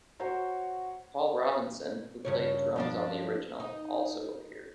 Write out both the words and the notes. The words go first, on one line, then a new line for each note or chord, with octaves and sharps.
Paul Robinson, who played drums on the original, also appeared.
F#4 C5 C#5 A#5
G2 C#3 C#5
G2 F3 D4
D#4